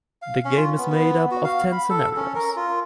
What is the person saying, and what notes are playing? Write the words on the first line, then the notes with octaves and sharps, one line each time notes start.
The game is made up of ten scenarios.
F5
C#4
F4
B3
B3
F#4
F5
B5
A4
C#4
A#4
F4